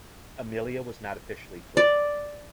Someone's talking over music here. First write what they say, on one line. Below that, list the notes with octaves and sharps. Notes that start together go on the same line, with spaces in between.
Amelia was not officially platted.
D5